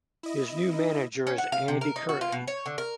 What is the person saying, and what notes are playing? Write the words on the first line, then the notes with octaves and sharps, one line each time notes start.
His new manager is Andy Curran.
E4 D#5
D#4
C#4
F#5
F5
C3
A#4
D#4
F#4
F4
B2
C#5
D3
A#4